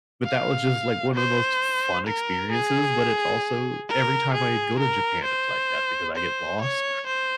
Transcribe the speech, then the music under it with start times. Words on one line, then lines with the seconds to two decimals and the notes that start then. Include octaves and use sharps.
but that was just, like, one of the most fun experiences, but it's also, every time I go to Japan, it's, like, that because I get lost,
0.25 F5
1.15 C5
2.07 A#4
2.52 G#4
3.89 A#4
4.34 G#4
4.79 A#4
5.25 C5
6.16 C5
6.62 C#5
7.07 C5